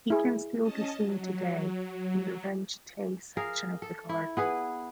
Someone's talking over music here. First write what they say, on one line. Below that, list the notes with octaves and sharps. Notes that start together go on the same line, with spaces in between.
It can still be seen today in the Renchitei section of the garden.
E4 G#4
C#4 D#5 A5
F#3
G#4 A#4 F5
A4
E4
B3 G#4 B4